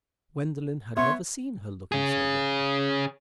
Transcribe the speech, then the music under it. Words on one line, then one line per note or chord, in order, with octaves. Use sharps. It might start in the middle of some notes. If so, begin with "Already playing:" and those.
Gwendolen had never seen her looking so young.
B3 C#5 E5 C6
C#4 G#4